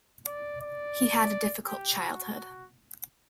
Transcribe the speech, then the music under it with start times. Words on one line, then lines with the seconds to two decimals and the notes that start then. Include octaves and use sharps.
He had a difficult childhood.
0.26 D5
0.61 D5
1.65 G4
1.99 F#4
2.34 F#4